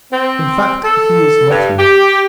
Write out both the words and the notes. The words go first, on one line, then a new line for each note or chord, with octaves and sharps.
"In fact, he is not here...."
C4
A4
G2
G4